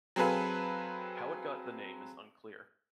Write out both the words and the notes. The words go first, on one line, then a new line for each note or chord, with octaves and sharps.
How it got the name is unclear.
F#3 C4 G#4 A4 B4 F5